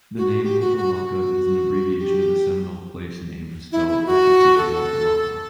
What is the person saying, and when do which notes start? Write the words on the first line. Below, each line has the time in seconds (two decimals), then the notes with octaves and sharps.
The name "Opa-locka" is an abbreviation of a Seminole place name, spelled Opa-tisha-wocka-locka.
0.17 F#4
0.43 G4
0.60 F#4
0.77 F#4
0.95 F#4
1.99 G4
3.72 E4
3.89 E4
4.06 F#4
4.58 A4